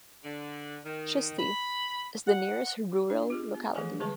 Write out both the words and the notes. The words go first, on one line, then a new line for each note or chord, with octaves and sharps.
Chisti is the nearest rural locality.
D3
D#3
B5
F#5
D4 D#5
F4 G4 G#4
B3
E3 F3 A3 G#4 A4 G#5
D3 G3 G#4 B4 A5 C#6